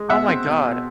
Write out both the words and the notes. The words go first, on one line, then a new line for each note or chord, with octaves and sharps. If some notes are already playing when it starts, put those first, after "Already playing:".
Oh my god.
Already playing: G#3
B2 E5 F#5
C4
B2
B2